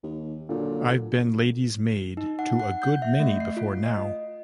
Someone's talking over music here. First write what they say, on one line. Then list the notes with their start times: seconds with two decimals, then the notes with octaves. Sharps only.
I've been lady's maid to a good many before now.
0.03 D#2
0.49 A#2 D3 F#3 A#3
2.17 D#4
2.39 F#5
2.60 F#5
2.82 G6
3.02 E5
3.19 A3
3.40 C7
3.57 F4
3.86 D#5